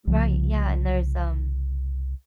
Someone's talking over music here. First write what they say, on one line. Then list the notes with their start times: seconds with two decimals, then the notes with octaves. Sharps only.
Right, yeah, and there's, um
0.07 C2 C#3 F3